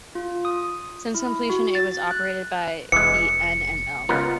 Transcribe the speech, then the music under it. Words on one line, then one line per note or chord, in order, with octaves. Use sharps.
Since completion it was operated by the N and L.
F4
D#6
E4
F#4
A6
F#6
F1 E3 G#3 C#7
C#2 B3 F4 A#4